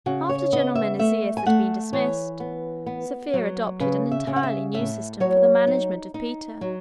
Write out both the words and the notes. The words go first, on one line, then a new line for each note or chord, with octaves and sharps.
After General Menesius had been dismissed, Sophia adopted an entirely new system for the management of Peter.
C#3 F#4
C#5
B3 D#5
E5
A3 E5
G#5
A3 F#5
E3 C#5
B3
B3
F#3
C#3 B4
E5
C#3
F#5
E5
A2 E5
F#3 C#5
D#4
D#4
F#3